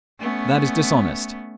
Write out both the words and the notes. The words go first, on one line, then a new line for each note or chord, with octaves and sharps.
That is dishonest.
A3 B3 C#4